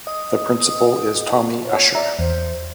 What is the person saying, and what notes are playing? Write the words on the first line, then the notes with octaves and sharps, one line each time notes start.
The principal is Tommy Usher.
D#5 D#6
C#5
D5 E5 A#5
E2 C5